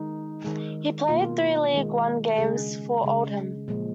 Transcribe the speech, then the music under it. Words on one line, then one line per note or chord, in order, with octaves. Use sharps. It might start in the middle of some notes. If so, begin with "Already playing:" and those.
He played three League One games for Oldham.
Already playing: D#3 G#3 D#4
D#3 G#3
B2 A#3 F4
D#3 G#3
C#3 G#3 G#4
C#3 G#3
A#2 F3 G#3